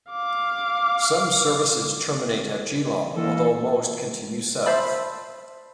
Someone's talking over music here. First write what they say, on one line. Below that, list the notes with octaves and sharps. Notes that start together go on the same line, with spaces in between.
Some services terminate at Geelong, although most continue south.
F5 D6
E3 A#3 A4
C5 E5 A5 B5